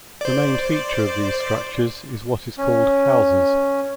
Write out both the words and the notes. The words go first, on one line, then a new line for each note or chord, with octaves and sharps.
The main feature of these structures is what is called 'houses'.
C5 D5
C#4